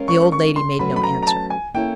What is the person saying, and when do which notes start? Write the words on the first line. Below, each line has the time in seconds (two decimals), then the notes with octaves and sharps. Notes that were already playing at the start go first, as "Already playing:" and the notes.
The old lady made no answer.
Already playing: G#3 C#4 F4 A#4
0.08 C#6
0.32 C#6
0.56 C6
0.79 F#3 A3 C#4 F#4 B4 B5
0.96 B5
1.03 A#5
1.23 A#5
1.27 A5
1.50 G#5
1.74 A#3 C#4 E4 A4 C#5 G5